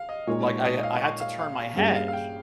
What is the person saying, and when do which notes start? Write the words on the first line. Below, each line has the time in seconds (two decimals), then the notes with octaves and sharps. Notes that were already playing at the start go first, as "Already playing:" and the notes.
Like I I had to turn my head,
Already playing: F5
0.09 D#5
0.27 A#2 G#3 D#4 A#4 C#5
0.46 C#5
0.64 D#5
0.83 F5
1.02 C#6
1.20 F5
1.39 F5
1.57 F5
1.76 G2 G3 A#3 C#4 G#4 F5
1.95 F5
2.08 F5
2.13 G5